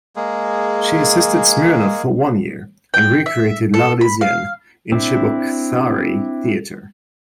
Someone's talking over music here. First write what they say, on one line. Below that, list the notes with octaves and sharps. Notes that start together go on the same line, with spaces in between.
She assisted Smirnov for one year and recreated "L'Arlesienne" in Cheboksary Theatre.
G#3 A#3 G#4
G5
E5
A4
B5
F5
C4 D4 E4